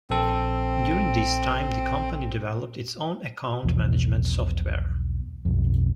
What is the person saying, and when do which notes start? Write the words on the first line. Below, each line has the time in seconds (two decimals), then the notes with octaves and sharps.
During this time, the company developed its own account management software.
0.10 A#1 C4 A4
3.65 B1 E2 B2 F3
5.45 B1 F2